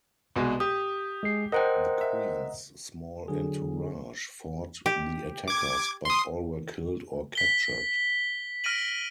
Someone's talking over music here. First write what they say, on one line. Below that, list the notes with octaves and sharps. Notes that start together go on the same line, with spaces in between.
The queens' small entourage fought the attackers, but all were killed or captured.
C2 B2 G#3
G4 D#6
G#3 G#4 C7
A#4 C5 D#5 F#5 G5 A#5
E5
D3 F#3 G#4
G4
D6 G#6
C6 D#6
B6 G7
F6 A#6 D7 D#7 F#7